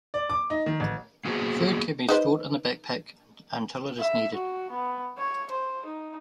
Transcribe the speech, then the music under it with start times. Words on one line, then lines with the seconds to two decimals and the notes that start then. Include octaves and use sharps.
Food can be stored in the backpack until it is needed.
0.14 D5
0.30 D6
0.50 D#4
0.66 D#3
0.80 A1
1.25 A#3 B3 F#4 G#4 A#4 C5
2.09 D#4 B4 C5
3.99 E5
4.34 F#4
4.70 B3
5.18 C#5
5.51 C5
5.85 D#4